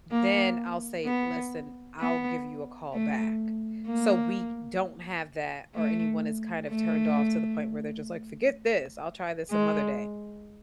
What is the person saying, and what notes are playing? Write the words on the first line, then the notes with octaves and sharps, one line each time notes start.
then I'll say, "Listen, I'll give you a call back." So we don't have that or anyone is kind of turned off to the point where they're just, like, "Forget this, I'll try this some other day,"
A#3
B3
B3
A3
A#3
A3
A3
G#3